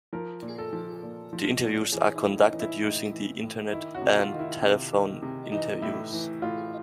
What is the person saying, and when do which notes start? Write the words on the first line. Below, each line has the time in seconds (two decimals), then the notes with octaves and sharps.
The interviews are conducted using the internet and telephone interviews.
0.13 F3 A#4
0.42 A#2
0.58 A4
0.73 F3
1.03 A#2
1.33 F3
1.63 A#2
1.92 E3 G#4
2.16 E4
2.22 A2
2.37 D#4
2.53 E3
2.60 E4
2.83 A2 D#4
3.13 E3
3.42 A2
3.72 D#3 E4
3.95 F#4
4.02 C3
4.17 F4
4.32 D#3
4.39 E4
4.62 C3
4.93 D#3
5.22 C3
5.52 E3 D#4
5.82 A2 E4
6.13 E3
6.42 A2 F4